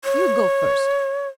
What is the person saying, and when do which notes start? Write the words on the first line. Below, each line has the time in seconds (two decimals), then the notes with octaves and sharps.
"You go first."
0.05 C#5